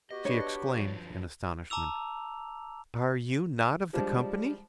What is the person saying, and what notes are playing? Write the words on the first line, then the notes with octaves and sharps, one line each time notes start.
She exclaimed, in astonishment, "Are you not of the Company?"
B3 F#4 G4 D#5
D4 B4 C#5
F#2 F3 F#3
A5 A#5 D6 E6 F7
F3 G3 G#3 D4